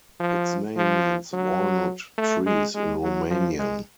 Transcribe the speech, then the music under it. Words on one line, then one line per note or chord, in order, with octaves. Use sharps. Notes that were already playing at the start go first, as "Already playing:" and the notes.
Its name means "walnut trees" in Romanian.
F3
F3
F#3
A3
G#3
G#3
F#3
F3
G#3